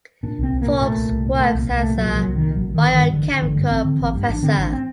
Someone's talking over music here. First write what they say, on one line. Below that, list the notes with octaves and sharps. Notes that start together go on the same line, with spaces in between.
Forbes works as a bio-chemical professor.
A#2 D4
C2
C4
C2
A#2 A#3
A#2 A3
C2
C2
A#2
A#2 A3
C2 A#3
C2
A#2 A3
A#2 F#3
C2 F#3
C2
A#2 D#3
A1 F#3
D3
D#3
A1
D#3
G2
A1 D3
D3
A1 D3
G2
A1 C4
D3
A1
G2
A1 D4
D3 C4
A1 D4
C4